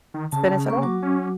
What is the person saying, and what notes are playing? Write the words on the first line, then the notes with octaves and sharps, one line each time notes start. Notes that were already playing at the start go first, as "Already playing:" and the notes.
finish at home.
D#3
C#3 A5
A#3 C#6
F#3 F#4 D6
C#4